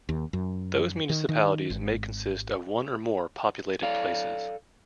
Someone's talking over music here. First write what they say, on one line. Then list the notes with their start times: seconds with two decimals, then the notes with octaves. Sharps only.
Those municipalities may consist of one or more populated places.
0.09 D#2
0.33 F#2
1.10 D#3
1.29 D#3
1.70 G#1
3.82 A4 D5 F5